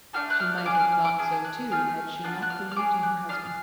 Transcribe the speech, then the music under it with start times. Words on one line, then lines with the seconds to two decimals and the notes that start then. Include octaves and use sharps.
She might have thought so too, had she not believed in her husband.
0.13 A3 D4 F#4 A4 F6
0.30 F#6
0.40 F6
0.58 F6
0.66 C#4 G#4 D6
0.75 F#6
0.79 F6
0.92 F6
1.05 D6
1.19 D4 G#4
1.44 F#6
1.71 A3 F4 G#4 F6
2.23 B3 D4 F4 F#6
2.42 F#6
2.50 F6
2.71 F6
2.76 C#4 G#4 D6
3.03 F#6
3.29 D4 F4 G#4 F6